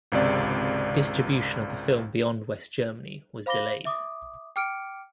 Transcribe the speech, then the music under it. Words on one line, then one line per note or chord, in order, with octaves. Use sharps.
Distribution of the film beyond West Germany was delayed.
G#1 C#2 C3 D5
C5 F5 B5 D6 A#6 G7
E5 D6 D#6
G5 D6 F6 C#7 D7